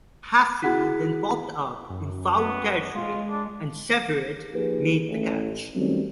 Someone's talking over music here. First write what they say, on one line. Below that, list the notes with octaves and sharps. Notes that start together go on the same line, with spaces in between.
Hafey then popped up in foul territory, and Severeid made the catch.
E4 F#4 G#4 F#5 F#6 B6
F#2
B3
G#3 F4
D4
F3 A#3 D#4 G4 G#4 B4
A1
D#3 F#3 G3 A3 C4 C#4